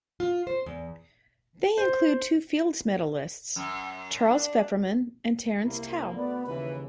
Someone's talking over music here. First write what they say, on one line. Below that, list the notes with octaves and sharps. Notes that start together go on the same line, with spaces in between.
They include two Fields medalists, Charles Fefferman and Terence Tao.
F4
C5
E2
C5
F#2
D4
C2 A#3 E4
D2 B3 D5
D#2 C#3 E3 B4